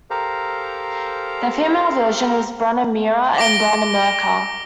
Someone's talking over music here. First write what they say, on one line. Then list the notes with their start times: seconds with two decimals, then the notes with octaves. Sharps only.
The female version is Branimira and Branimirka.
0.10 G4 A4 A#4 C5 F5 A#5
3.38 D6 A#6 D7 G7